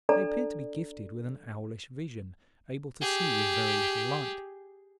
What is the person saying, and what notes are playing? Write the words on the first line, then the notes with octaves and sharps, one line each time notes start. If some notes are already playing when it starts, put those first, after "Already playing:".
They appeared to be gifted with an owlish vision, able to see with very little light.
D4 A4 D5 A5 A#5
G4 G#4